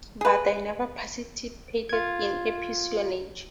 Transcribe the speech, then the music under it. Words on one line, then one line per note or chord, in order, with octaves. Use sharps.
But I never participated in espionage.
G#4 B4
F4 G#6